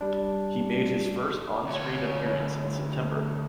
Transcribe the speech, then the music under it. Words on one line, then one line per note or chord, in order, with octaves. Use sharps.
He made his first on screen appearance in September.
G3 D4
D2 C#5